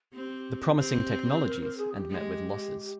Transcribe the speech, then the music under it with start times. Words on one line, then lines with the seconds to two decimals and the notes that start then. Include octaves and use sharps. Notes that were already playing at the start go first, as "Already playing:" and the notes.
The promising technologies and met with losses.
0.13 C4 G4
0.79 C4
1.44 A#4
1.61 A#4
1.78 G#4
1.94 G4
2.10 G#3